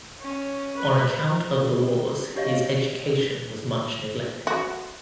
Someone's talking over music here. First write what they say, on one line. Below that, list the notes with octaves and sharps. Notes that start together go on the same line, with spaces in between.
On account of the wars his education was much neglected.
C#4
B4
D4 G4 C#5 D#5 F5
F#4